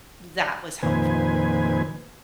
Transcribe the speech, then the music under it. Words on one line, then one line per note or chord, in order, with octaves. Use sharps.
that was helpful.
F2 A#2 D#3 B4 C5 G#5